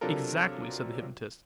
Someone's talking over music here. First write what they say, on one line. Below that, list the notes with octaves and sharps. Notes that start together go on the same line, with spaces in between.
"Exactly," said the hypnotist.
C3 F#3 D4 F4 A4 A#4